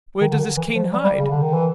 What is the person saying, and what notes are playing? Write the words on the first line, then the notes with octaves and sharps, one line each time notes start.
Where does this Kane hide?
D#3
D3
D#3
E3
F3
G3
G3
C#3
D3
D#3
E3